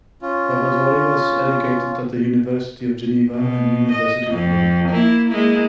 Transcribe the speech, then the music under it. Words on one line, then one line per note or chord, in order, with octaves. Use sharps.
Salvadori was educated at the University of Geneva and the University of Rome.
C#4 F4
B2
D#5
F2
A#3 E4
G#3 A#3 E4